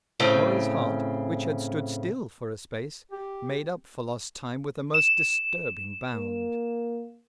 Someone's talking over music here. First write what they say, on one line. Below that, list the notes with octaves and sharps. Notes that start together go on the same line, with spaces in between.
Norah's heart, which had stood still for a space, made up for lost time with a most disturbing bound.
A2 C#3 C4
G4
E7
A#3